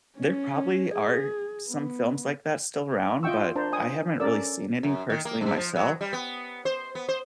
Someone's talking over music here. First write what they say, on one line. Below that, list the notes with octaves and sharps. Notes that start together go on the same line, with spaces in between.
there probably are some films like that still around, but I haven't really seen any personally myself,
C#4
G#4
B3
F4 D#5 E5 G5 C#6 E6
D4 A#4 C5 A5 A#5
G#5 D#6
C#4 A4 A#4 D5 E6
F#2
D#3
A#3
G2
F3
F#3
G3
B3
C5
B3
C5